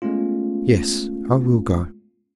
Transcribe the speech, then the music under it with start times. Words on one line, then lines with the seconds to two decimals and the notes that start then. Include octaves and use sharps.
"Yes, I will go."
0.02 G#3 A3 B3 C#4 F4